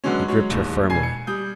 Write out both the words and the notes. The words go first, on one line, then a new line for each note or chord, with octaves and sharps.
He gripped her firmly.
D3 F#3 G#3 B3 C#4
F#3 G#3 C#5
D1 D#2
E1 G#5 G#6 C7
C#7
G3 D#6 G6